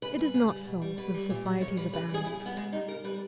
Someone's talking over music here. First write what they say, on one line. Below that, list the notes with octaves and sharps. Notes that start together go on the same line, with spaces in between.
It is not so with societies of animals.
C#3 B4
G3 B4
C#3
G3
B2
G3
B2 B4
G3
A#2
G3
A#2 C#5
G3 B4
C#3 B4
G3
G#4
C#3 E4
G3
B3
C#3 G#3
G3 D#4
C#3 A#4
G3 B4